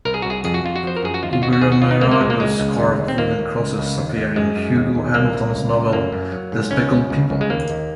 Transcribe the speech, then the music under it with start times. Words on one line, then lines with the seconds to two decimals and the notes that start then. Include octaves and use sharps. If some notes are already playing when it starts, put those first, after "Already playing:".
Oberammergau's carved wooden crosses appear in Hugo Hamilton's novel "The Speckled People".
0.05 C2 A#4
0.14 G#4
0.22 C2 F#4
0.30 G#4
0.44 F2 G#4
0.54 F#4
0.64 F2 F4
0.76 F#4
0.84 F3 C5
0.97 A#4
1.03 F#2 G#4
1.14 F#4
1.23 D#2 F4
1.33 F4
1.42 D#2 F#4
1.53 F#4
1.61 D#2 G#4
1.72 F#4
1.81 D#2 F4
1.91 D#4
2.01 C#2 A#3
2.11 A#3
2.20 C#2 G#3
2.30 A#3
2.40 C#2 G#3
2.60 C#2
2.80 D#2
2.99 D#2
3.08 C4
3.18 D#2 A#3
3.39 D#2
3.58 C#2
3.78 C#2
3.97 D#2
4.16 D#2
4.36 F#2 G#3
4.56 F#2
4.76 D#2
4.95 D#2
5.14 C2 A#3
5.34 C2
5.54 C#2
5.73 C#2
5.93 F#2 A#3
6.12 F#2
6.32 F#3
6.52 G#2
6.71 C#2 C#4
6.91 C#2
7.10 C#2
7.30 C#2
7.41 G#3
7.50 D#2 A#3
7.70 D#2